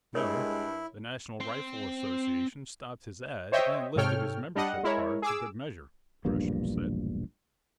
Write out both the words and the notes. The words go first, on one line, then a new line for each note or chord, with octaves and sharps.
"No; the National Rifle Association stopped his ad, and lifted his membership card for good measure," Gresham said.
G2 G#3 E4 A#4 C#5
C4 C5
C5 C#5 D#5 E5 G5
G#2 C3 A4 C#5 G5 F6
G3 D4 D#5 F#5
G#3 E4 A#4 C#5
G#4 D6 E6
E1 A#1 G2 A#3